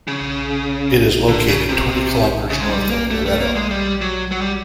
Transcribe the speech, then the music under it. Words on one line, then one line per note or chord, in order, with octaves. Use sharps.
It is located twenty kilometers north of Loreto.
C#3
D3
C#3
C3
C#3
G#3
G3
A#3
A3
A3
A#3
G#3
G3
F#3
F#3
G3